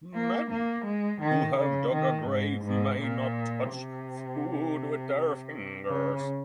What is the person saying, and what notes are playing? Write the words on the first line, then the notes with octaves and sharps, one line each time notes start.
Men who have dug a grave may not touch food with their fingers.
A#3
A#3
G#3
D#3
C#3
D#3
G#2
G#2
A#2
C3
C#3